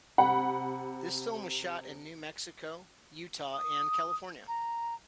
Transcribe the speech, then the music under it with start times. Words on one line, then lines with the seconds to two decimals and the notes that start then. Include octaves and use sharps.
This film was shot in New Mexico, Utah, and California.
0.18 C3 F#5 B5
3.53 D#6
4.48 A#5